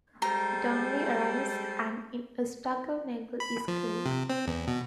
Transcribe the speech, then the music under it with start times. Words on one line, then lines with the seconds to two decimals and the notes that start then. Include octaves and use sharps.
Donnelly arrives and In a struggle Nagel is killed.
0.22 G3 G#3 A4 C5 A#5
3.40 B5
3.68 F3
4.06 C3
4.30 C4
4.47 E2
4.67 B2